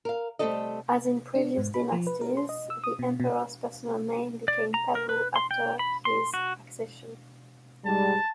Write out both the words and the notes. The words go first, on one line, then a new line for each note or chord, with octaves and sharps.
As in previous dynasties, the emperor's personal name became taboo after his accession.
A#4 F5
G3 A3 C4 D#4 A4 D#5
D4
G#2
B5
F3
B4
A#4
C6
D#5
E6
D#6
B2
B2
D5
A#5
A#4
B4
C6
G5
B5
C6
F#4
G#2 G3 A5